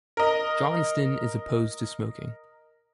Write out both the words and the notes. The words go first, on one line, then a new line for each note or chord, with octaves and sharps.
Johnston is opposed to smoking.
A#4 D#5